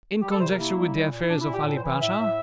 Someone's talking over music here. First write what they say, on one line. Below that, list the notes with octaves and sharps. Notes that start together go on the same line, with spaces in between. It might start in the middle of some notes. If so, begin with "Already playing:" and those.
"In conjunction with the affairs of Ali Pasha?"
G3 G4
A4
C3 C5
A#4
A#3 E4
G3
A#2
A#2
E4
A#2 D4
E4
A#2
G4
A2 A4
C5
E3
A2 E5
A2